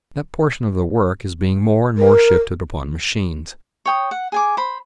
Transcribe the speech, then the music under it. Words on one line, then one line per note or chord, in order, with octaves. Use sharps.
That portion of the work is being more and more shifted upon machines.
A#4
C#5 G5 D#6
F#5
G#4 G#5 D6
C5 B5